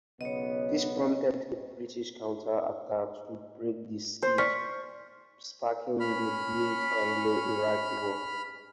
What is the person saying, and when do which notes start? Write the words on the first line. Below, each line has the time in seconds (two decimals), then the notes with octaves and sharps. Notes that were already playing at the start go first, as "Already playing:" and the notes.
This prompted a British counter-attack to break the siege, sparking the brief Anglo-Iraqi War.
0.21 B1 C#3 B3 C#5 D#5
4.23 C5
4.38 D5 C#6 F6 B6
6.00 C#4 B5 F6